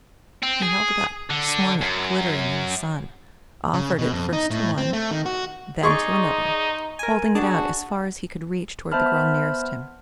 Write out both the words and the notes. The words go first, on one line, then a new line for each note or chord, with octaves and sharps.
He held it up, swung it, glittering in the sun, offered it first to one, then to another, holding it out as far as he could reach toward the girl nearest him.
C4
G#4
D3
F#2
C#3
B2
F2
D#4
A2
C4
A3
D#3
F#4
D#4 G#4 D5 C6 C#6
A#4 G#5
D4 F#4 G#4 A5
B3 C5 E5 A5 B5 F6